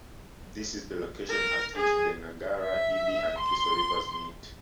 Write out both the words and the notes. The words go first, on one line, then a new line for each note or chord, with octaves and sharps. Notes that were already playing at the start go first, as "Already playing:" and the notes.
This is the location at which the Nagara, Ibi, and Kiso rivers meet.
A#4
G#4
E5
C6